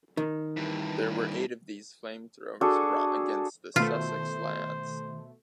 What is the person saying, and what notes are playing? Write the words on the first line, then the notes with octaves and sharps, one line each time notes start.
There were eight of these flamethrowers brought against the Sussex lads.
D#3
G2 E3
D4 F#4 G#4 A4
B2 D#3 A3 F4 C5